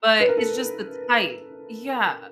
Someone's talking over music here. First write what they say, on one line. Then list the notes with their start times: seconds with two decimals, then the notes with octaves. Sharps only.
but it's just the type. Yeah.
0.20 B4
0.29 A#4
0.37 A4